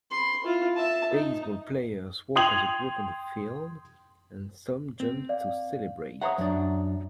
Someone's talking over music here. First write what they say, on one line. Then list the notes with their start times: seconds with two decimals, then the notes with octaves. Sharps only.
Baseball players walk as a group on the field, and some jump to celebrate.
0.11 B5 C6
0.44 E4 F4
0.76 E5 A5
1.13 D#4
2.36 G5 C6 D#6 G#6 F7 F#7
5.00 C4
5.29 D5 F5
6.21 C5 C#5 E5 F#5 A#5 D#6
6.38 F#2 D4